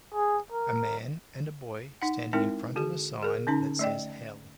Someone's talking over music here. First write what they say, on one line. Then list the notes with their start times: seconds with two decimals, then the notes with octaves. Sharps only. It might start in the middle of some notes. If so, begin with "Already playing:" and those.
A man and a boy standing in front of a sign that says HELL .
0.15 G#4
0.52 A#4
2.02 D#4 F#5
2.33 G#3 C4 D#4 E4 A#4 G5
2.76 D3 F#4 G#4
3.23 G#4 A#4
3.47 D3 C#4 D#4 A#5
3.79 A3 D5 D#5 G5